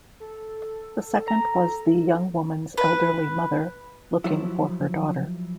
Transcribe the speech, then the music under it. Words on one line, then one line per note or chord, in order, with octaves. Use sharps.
The second was the young woman's elderly mother, looking for her daughter.
A4
A#5
B4
F3 F#3 E4